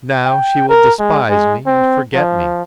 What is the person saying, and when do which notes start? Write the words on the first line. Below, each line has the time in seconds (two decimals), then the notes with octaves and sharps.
Now she will despise me and forget me.
0.25 G5
0.69 A#4
0.99 G#3
1.29 G#3
1.66 C4
2.14 F3